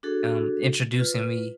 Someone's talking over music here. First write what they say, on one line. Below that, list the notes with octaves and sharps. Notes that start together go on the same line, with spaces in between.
um, introducing me
D4 F#4 G#4 A4
F4 B4